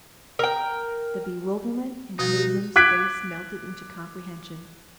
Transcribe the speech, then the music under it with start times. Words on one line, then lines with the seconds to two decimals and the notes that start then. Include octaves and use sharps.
The bewilderment in Abram's face melted into comprehension.
0.39 A#4 G5
2.19 B2 F3 G3 D#4 F#4
2.76 D6 F#6 G#6 B6 D7